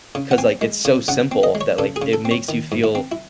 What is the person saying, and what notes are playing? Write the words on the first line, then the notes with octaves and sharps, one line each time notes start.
'cause like, it's so simple that, like, it makes you feel
C#3
F#5
C4 G#5
G#3
C#3
C#3 F#5
C4
D#5
G#3
C#5
C#3 A4
G#4
C#3
A4
C4
C#5
D#3
G#2
E4
C4
E4